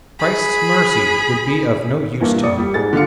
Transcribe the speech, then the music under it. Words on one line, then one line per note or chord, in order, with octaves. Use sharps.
Christ's mercy would be of no use to me.
G#4 B5
G2 E3 A#3
F1 D5 D#6 C#7
G3
G#2 G#4 A6
D3 G3 F4 C#7